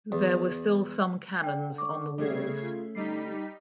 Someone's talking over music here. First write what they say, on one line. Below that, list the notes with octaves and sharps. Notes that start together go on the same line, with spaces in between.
There were still some cannons on the walls.
E2
D3 D5 G5
C#6 D6
C#3 G3 A3 C#4 G#4 A4 G#6 C7
F4
D3 G3 D#4 B6 C7